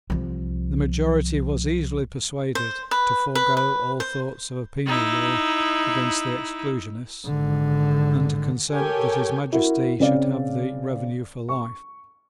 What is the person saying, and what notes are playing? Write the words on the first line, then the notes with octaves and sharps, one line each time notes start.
The majority was easily persuaded to forego all thoughts of a penal law against the Exclusionists, and to consent that His Majesty should have the revenue for life.
C2 F3
C5
B4
B4
B4
C5
D#4 E4
G#1 D3
G4 A4 A#4 C#5 G5 G#5
E4 F#4 A#4
C#3 C4 D5 F5
C#6